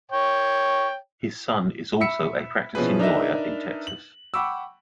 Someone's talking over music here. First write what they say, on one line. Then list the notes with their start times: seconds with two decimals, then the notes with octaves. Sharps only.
His son is also a practicing lawyer in Texas.
0.11 C#5 G5
2.00 E5 B5 E6 B6 C#7
2.75 B2 F3 C#4 E4 G#4 B4
2.99 D4 D#4 A#4 B4 D#5 E5
3.87 F#7
4.34 F#5 G5 B5 C#6 D6 E6